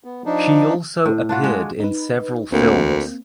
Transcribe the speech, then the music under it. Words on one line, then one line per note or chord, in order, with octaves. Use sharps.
She also appeared in several films.
B3
F3 D4 D#4
A2
D4 F4 F#4
G#3
D#4 B4
D2 A#3 C4